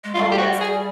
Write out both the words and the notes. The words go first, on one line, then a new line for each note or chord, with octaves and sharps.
Oh, yes.
G#3
G3 F4
G4
F#4
G#4